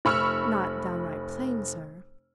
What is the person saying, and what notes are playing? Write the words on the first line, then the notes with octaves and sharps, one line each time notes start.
"Not downright plain, sir?"
F1 B5 C#6 E6 F6